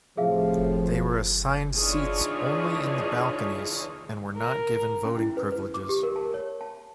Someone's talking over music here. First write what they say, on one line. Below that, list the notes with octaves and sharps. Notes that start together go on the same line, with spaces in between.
They were assigned seats only in the balconies and were not given voting privileges.
A2 C3 F3 G#4 E5 F5
E3 D4 D#4 F4 G#4 C#5
A#4
C#4
E4
B4
B4
D6
G4
A#4
A5
C#5
A5